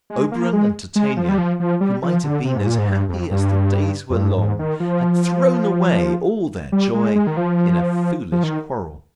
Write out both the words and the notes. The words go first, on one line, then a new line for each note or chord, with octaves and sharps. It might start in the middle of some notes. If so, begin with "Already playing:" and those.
Oberon and Titania, who might have been as happy as the days were long, had thrown away all their joy in a foolish quarrel.
G#3
A#3
G#3
G#3
F3
G3
F3
F3
G3
F3
D3
C3
G#2
A#2
G#2
G2
F2
G2
F2
G2
G#2
D#3
F3
G3
G#3
G#3
D#3
F3
F3
D#3